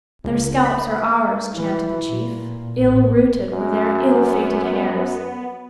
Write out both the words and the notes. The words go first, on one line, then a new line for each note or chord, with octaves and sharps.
'Their scalps are ours,' chanted the chief; 'ill-rooted were their ill-fated hairs!
C#2
B5
E3
A#2
A1
F#2
B3